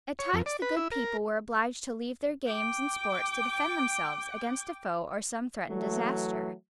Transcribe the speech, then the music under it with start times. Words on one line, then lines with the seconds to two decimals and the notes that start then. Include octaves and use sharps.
At times the good people were obliged to leave their games and sports to defend themselves against a foe or some threatened disaster.
0.19 C#5
0.34 F2
0.46 D5
0.62 B4
0.77 E4
0.92 A#4
2.46 G5 D6
5.68 E3 F#3 A3